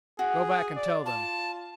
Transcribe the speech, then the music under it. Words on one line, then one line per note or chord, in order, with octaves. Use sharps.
Go back and tell them.
F#4 G#4
D5
F4 A5